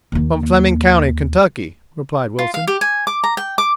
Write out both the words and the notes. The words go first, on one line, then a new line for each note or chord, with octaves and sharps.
"From Fleming County, Kentucky," replied Wilson.
D#2 A#3
F4
F5
G4
G#5
D6
A#5
G5
D6